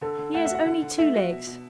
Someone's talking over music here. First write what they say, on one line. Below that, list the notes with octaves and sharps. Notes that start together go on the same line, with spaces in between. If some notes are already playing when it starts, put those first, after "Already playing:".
He has only two legs!
D3 A4
D3
A3 F#5
F#4 E5
F#5
D3
D3
A3 E5
F#4
B2
B2